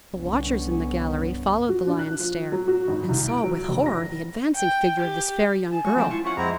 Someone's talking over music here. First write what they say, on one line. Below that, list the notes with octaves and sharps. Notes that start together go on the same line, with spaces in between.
The watchers in the gallery followed the lion's stare, and saw, with horror, the advancing figure of this fair young girl.
C2 G2 D3 B3 C#4
F#4
D4
F#6
F3
F#3
F#4
G#1
C2
D7
F#3
F1
A#6
G5
G4
G#5 A5
G#3 A3 F#4 C#6
F3 A3 C4 A5
E4 F4 C#6
C#4 E4 F4 F#5 C#6
F2 G#3 C4 E4 F#5 A#5